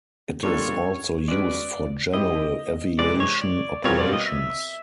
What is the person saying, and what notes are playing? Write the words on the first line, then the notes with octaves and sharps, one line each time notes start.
It is also used for General Aviation operations.
G3 A#3 D4 F4 A4 C#5
G#3 C#4 F#4 B4 D5
C4 E4 G4 D#5
C3 E3 G#3 D5
C#5
D5
B2 G3 C4 F4 A#4 C#5
D5
D#5
E5